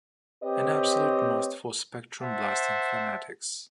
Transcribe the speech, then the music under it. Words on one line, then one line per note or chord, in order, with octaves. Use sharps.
An absolute must for Spectrum blasting fanatics.
C4 G4 B4 C#5 D#5
C5 E5 F#5 A5